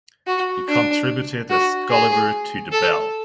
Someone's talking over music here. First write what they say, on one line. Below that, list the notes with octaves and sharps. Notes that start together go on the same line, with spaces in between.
He contributed as "Gulliver" to "The Bell".
F#4
D4
F#4
G#4
A4